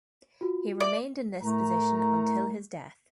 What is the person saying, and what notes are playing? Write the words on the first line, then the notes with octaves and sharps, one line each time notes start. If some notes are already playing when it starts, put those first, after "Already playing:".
He remained in this position until his death.
F4 F#4
D5 E5
A2 A3 A#4 A#5